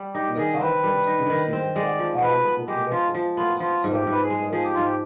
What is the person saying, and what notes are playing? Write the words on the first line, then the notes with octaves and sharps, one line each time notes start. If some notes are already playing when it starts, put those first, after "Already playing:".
In the conference preseason poll the Pirates were predicted to finish in seventh place.
Already playing: G3
D#4 G4
D#3 G#4
C4 B4
G3
D#4
D#3
C4
G#3 D5
F3
F3 B4
B3
G#3 G4
F3 F4
F3
B3 F4
F3 F4
G#2
G4
G#2
B4
G#4
G#3
F3 G#4
G4
G#2 F4
G4